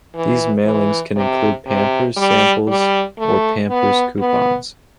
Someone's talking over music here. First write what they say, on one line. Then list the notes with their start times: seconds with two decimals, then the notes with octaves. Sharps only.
These mailings can include Pampers samples or Pampers Coupons.
0.15 E3
0.65 E3
1.16 C3
1.67 C3
2.17 G3
2.67 G3
3.18 A3
3.69 B3
4.20 B3